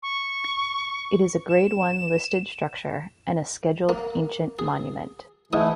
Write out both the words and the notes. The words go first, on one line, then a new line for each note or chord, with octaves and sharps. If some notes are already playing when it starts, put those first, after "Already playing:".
It is a grade one listed structure and a Scheduled Ancient Monument.
C#6
E7
A#3
G#4
G#2 E3 A3 E4 D#6